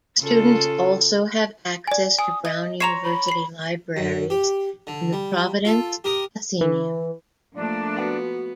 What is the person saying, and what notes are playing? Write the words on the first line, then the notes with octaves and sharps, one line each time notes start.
Students also have access to Brown University libraries and the Providence Athenaeum.
C#3 F4 A4
D5 G#5
G#5 D#6
D#5 D#6
C#5 A#5 C6 C7 E7 F7
B5
C7 F#7
F#2
G4
D3
G3
F4 A4
G4 A#4 D#6
E3
F3 A3 A#3 D4
B3 F#4